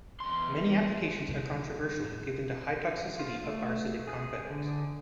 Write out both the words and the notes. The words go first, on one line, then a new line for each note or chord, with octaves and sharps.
Many applications are controversial given the high toxicity of arsenic compounds.
E2 C6
C2 A#2 D#3
A2
F4
A3
G#4
D3